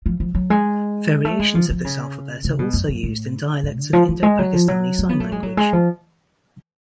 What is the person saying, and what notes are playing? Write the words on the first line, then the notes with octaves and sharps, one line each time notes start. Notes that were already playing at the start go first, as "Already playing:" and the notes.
Variations of this alphabet are also used in dialects of Indo-Pakistani Sign Language.
F3
F3
F#3
G#3
A3
G#3
F3
F3
C#3
C#3
B2
F#2
F#2
A2
G#2
D3
F3
F3
G#3
F#3
F3
F#3
C#4
B3
A3
G#3
F#3
G#3
F3